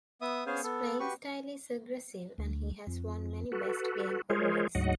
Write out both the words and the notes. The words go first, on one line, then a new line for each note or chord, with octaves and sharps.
His playing style is aggressive and he has won many "best game" awards.
B3 E5 D#6
B3 C#4 G#4 C5 F5 G#5
B3 A4
F#4 G4 B4 C#6
D2
F2
F#4 A4 B4
G#3 F4 G#4 A#4 C5 C#5
D2 G#2 F#3 D#5 F#5